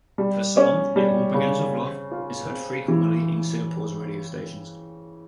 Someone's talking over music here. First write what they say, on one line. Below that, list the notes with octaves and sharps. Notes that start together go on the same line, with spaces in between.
The song "It All Begins With Love" is heard frequently in Singapore's radio stations.
G3
C#4
G3
C#3
C4
F4
C4
E3